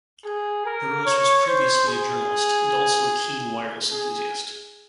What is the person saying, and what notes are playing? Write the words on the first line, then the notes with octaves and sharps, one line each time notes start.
Burrows was previously a journalist and also a keen wireless enthusiast.
G#4
A#4
C#5
C5
G#4
G#4